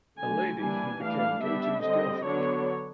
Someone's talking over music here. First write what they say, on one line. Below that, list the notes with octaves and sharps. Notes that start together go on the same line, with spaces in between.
A lady who became Goto's girlfriend.
D3 F#3 A3 G#5
E3 G3 A#3 D4 G#5
E3 A3 D4 F5
G3 B3 D4 E5
D3 G3 C4 D#5
D3 F#3 B3 D4 C#5